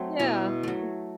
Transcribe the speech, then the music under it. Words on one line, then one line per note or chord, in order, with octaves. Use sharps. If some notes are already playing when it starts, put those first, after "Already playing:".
yeah, y
Already playing: F#3 A3 C4
B2 E4
F#3 A3